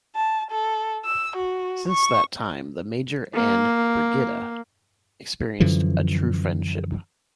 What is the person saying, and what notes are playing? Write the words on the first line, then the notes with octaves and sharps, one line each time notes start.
Since that time, the Major and Brigitta experienced a true friendship.
A5
A4
E6
F#4
C#6
A#3
F#2 D3 E3 F3